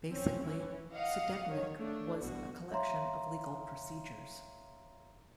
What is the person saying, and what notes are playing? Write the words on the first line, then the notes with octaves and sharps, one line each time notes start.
Basically, "Sudebnik" was a collection of legal procedures.
C4 C#4
E3 C#4
D#5 F5 F#5
D#3 C#5
A3 D4
A1 G2 B2 F#4
C#5 E5 F5 A#5 C6